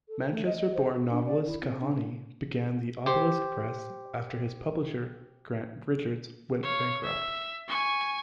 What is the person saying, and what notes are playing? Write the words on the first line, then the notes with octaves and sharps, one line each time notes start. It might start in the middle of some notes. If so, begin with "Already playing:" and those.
Manchester-born novelist Kahane began the Obelisk Press after his publisher, Grant Richards, went bankrupt.
A4
A3
D#5
D#5
C5
F#4
D4
D5
E4
C4
D4
G4 C5
C#5 F5
E5
G#5 C#6